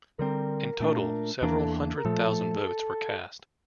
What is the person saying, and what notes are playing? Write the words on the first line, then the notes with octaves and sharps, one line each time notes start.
In total several hundred thousand votes were cast.
D3 G3 C4 A#4
A#2 A3 D4
E2 E3 A#3 D4 A#4
A4
A#4
A#2 F3 A3 A4